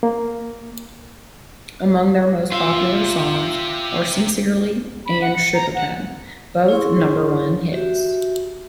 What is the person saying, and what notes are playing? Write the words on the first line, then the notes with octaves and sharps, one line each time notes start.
Among their most popular songs are "Sincerely" and "Sugartime", both number one hits.
A#3
F4 G4 E5
B5
F#5
C#7
A#5
F#5
E4 G#4 C#5 C6 C#6
F#4 G4 E5